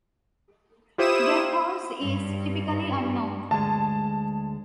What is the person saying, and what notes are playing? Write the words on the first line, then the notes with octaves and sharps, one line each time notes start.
The cause is typically unknown.
E4 F4 G4 C5 D#6 E7
G2
D2 G#3 A5